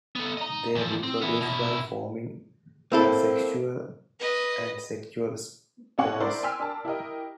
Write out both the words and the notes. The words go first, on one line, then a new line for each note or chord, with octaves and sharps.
They reproduce by forming asexual and sexual spores.
B3 A4
D#5 A#5
E2 F3
C4
B3 E4
B2 E4
A#3 C4 E4 A4
B4 D#5
A#1 C3 C#4 F#5 C#6
D4 E4 A#4 C5 D5
G5 G#5 C6 E6 F6 B6
D4 A#4 A5
E4 G4 A#4 D#5